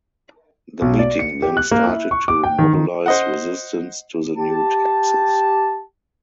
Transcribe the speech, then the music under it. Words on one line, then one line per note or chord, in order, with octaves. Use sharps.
The meeting then started to mobilise resistance to the new taxes.
B1
D5
C#7
G4
F#6
A#3
E4
C#6
D6
G5
D#3
D#3
C5 D#5 F#5
G4 A5